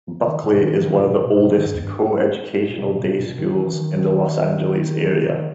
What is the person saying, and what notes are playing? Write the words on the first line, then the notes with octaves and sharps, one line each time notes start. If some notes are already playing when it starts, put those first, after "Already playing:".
Buckley is one of the oldest co-educational day schools in the Los Angeles area.
C#3
D#3
A#2
B2
D#3
E3
D#3
A#2
B2
A#2
B2
B2
C#3
D#3
G2
E2
G2
A#2
B2
C#3
B2
A#2
B2
A#2
B2
D#3
D#3
E3
D#3
D#3
D#3